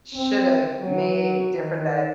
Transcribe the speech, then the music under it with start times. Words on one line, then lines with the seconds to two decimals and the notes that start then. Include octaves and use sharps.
should've made different that
0.13 C4
0.79 F#3
1.56 D#3